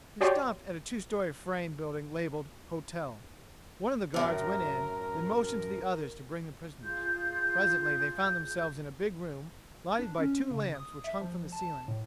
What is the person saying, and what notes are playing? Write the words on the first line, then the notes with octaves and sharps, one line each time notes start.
They stopped at a two-story frame building labeled "Hotel." One of the guards went in, then motioned to the others to bring the prisoners. Presently they found themselves in a big room, lighted by two lamps which hung from the ceiling.
F#4 G4 C#5 D5 G5 C6
F#2 A2 A#4
F4 G#4 G6
D4
C#4
C#3
D#6
E5
F3
A5
A2